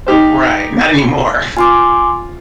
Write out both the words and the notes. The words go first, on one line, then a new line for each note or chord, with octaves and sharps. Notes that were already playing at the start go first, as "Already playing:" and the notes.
Right. Not anymore.
D#4 G4 C5
F4 G#5 C6 D6